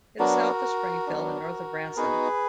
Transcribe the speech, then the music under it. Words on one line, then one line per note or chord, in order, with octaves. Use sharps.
It is south of Springfield and north of Branson.
F#3 B3 D4 F#4 A#4
F#3 B3 D4
B3 D#4 F#4 G#4 B4